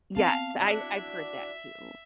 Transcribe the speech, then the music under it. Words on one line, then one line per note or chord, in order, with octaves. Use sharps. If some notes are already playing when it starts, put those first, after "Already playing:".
Yes, I I've heard that too.
B3 C4 F5 A5
D4 E4 F#4 E5